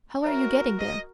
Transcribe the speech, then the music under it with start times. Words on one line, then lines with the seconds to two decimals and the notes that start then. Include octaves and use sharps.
"How are you getting there?"
0.24 F#4 A#4 C#5 E5 A#5
0.79 D#5